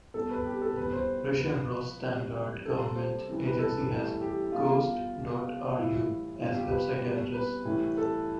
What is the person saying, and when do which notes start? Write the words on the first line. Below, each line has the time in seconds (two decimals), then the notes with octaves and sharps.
Russian Rosstandart government agency has "gost dot ru" as website address.
0.14 B2 G3 A4
0.31 B4
0.46 G4
0.62 A4
0.77 B2 G3 B4
0.93 C5
1.40 C3 F3 B4
2.02 C3 G3
2.65 C3 G3 A4
2.96 C5
3.28 C3 E3 G3
3.47 B4
3.59 A4
3.90 A2 E3 G3
4.21 G4
4.52 B2 G3 F4
5.16 B2 G3
5.78 A2 E3 G3 E4
6.41 B2 G3 F4
6.56 G4
6.71 B4
7.03 B2 G3
7.34 B4
7.65 A2 E3 G3
7.97 A4